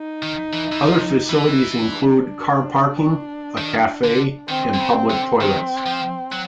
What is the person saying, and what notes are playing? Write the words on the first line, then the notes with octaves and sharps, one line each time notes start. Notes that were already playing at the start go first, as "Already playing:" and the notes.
Other facilities include car parking, a cafe and public toilets.
Already playing: D#4
D#3
E3
E3
F3
E3
D4
D#3
D3
D#3 C4
D3
C#3
D3
D#3 C4
F3
F#3